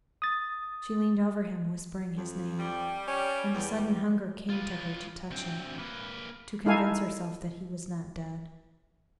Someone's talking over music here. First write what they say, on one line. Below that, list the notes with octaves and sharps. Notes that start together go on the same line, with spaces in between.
She leaned over him whispering his name, and a sudden hunger came to her to touch him, to convince herself that he was not dead.
D#6 A6
F2
G3
C#4
E2
F4 B4
D2 C4
A#3 B4
D#4 E4 A4 F5 G#5